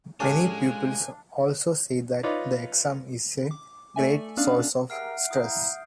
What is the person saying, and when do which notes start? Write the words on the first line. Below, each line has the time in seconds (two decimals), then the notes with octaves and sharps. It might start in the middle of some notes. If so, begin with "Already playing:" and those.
Many pupils also say that the exam is a great source of stress.
0.20 A2 G#3 C#4 D4 G4 F5 G#5
2.23 D#4 F4 B4 C#5 D5
3.51 D6
3.96 A3 A4 D5 E5 G#5
4.37 B3 C#4 D4 D5 F5
4.90 G4 G#4 A#4 E5 F#5 F6 C7 D7
5.31 E4 F5 A#5 D#6 G6